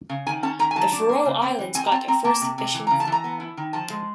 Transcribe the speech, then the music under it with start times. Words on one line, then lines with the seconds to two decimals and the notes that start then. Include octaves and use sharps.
The Faroe Islands got their first fishing fleet.
0.09 C#3
0.27 D#3 G#5
0.43 C#4 A5
0.59 D#3 A#5
0.71 G#5
0.76 F#3 A5
0.93 D4
1.09 A#3
1.26 C#3
1.42 C4
1.59 E3
1.74 C4 G#5
1.86 A#5
1.92 C4 A5
2.08 C4 A#5
2.24 A#3 A5
2.41 C3
2.58 C3
2.74 E3
2.87 C#3 A#5
3.00 A5
3.07 E3 A#5
3.24 B3
3.40 E4
3.57 D#3
3.73 F3 A5
3.90 G#3